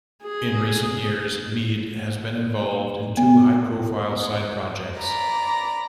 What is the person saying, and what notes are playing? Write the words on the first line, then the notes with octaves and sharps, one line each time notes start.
In recent years, Mead has been involved in two high- profile side projects.
G#4
B3
D5 A#5 B5